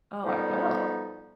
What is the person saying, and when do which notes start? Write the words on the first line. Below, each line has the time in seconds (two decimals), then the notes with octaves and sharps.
Oh, I will.
0.24 F2 B2 F3 G3 B3 D#4